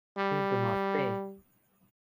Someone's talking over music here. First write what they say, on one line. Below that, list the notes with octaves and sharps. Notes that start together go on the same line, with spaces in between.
They do not pay.
G3